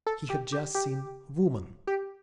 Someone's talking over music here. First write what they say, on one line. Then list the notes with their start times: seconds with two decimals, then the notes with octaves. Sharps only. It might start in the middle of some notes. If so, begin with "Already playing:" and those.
He had just seen Woman.
0.07 A4
0.30 G4
0.52 G4
0.75 G4
1.87 G4